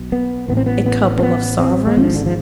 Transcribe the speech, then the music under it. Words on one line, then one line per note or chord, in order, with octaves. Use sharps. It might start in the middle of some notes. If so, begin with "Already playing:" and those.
'A couple of sovereigns.'
Already playing: B1 B2
B3
A1 A2 B3
C4
B3
B3
C4
B3
C4
G#3
G#1 G#2 F3
D3
F3